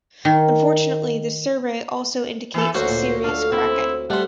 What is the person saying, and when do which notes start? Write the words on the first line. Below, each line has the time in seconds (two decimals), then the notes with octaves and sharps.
Unfortunately, the survey also indicates serious cracking.
0.25 D#3
2.54 E3 A4
2.74 D2 A#3 C#4 F#4 C5
2.89 A#2
3.24 D4 A4 F5
3.52 C4 E4
4.10 G3 A3 C5 F#5